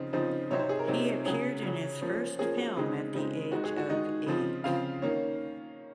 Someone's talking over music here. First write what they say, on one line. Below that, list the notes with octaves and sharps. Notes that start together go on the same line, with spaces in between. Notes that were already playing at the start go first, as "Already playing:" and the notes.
He appeared in his first film at the age of eight.
Already playing: C#3 F3 C4 D#4
C#3 F3 C4 D#4
C3 F#3 C4 D#4 C#5
C5
G#4
A#4
C3 F#3 C4 D#4
C#3 F#3 C#4 G#4
C#3 F#3 C#4
F3 A#3 C#4
F3 A#3 C#4 G#4
F#4
C#3 G#3 C4 D#4 G#4
C#3 G#3 C4 D#4
D#3 G#3 D#4 F#4
G#4
F#4
D#3 G#3 D#4 D#5
C#3 F3 C4
C#3 F3 C4 F5
D#3 A#3 C#4